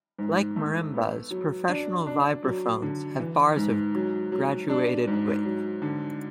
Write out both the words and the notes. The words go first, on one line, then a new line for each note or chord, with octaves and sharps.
Like marimbas, professional vibraphones have bars of graduated width.
G#2
A3
B3
F#3
D4
D4
F#3
D3
E3
G#2
F#3
F#3
D4
G#2
F#3
D3